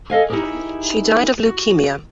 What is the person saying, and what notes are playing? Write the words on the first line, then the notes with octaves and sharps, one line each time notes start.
She died of leukemia.
A4 D#5 F5 G#5
D#4 E4 G4 G#4 A#4
F#4